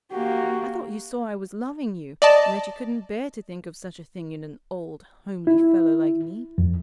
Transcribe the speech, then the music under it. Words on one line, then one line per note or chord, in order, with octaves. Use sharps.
I thought you saw I was loving you and that you couldn't bear to think of such a thing in an old, homely fellow like me.
A#3 F#4 G4
D5 D#5 A5
E4
F2